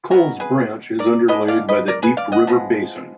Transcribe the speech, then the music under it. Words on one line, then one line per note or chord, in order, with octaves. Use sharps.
Coles Branch is underlaid by the Deep River Basin.
B2 F#3 B3 F#4 A#4
G#4 B4
A#4 D5
D3 G#3 B3 B4 D#5
D5 F5
B4 D#5
A#4 D5
G#4 B4
D5 F5
D#5 F#5
F3 G#3 B3